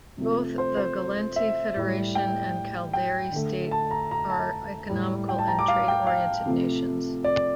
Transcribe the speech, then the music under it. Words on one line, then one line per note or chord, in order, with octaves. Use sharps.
Both the Gallente Federation and Caldari State are economical and trade oriented nations.
C3 F3 A3
C5
C5
E5
A2 G3
G5
G5
D3 A3
A5
A#5
A#5
A5
A2 G3
G5
A5
A#5
D6
F5
G5
F5
C3 F3 A3
D5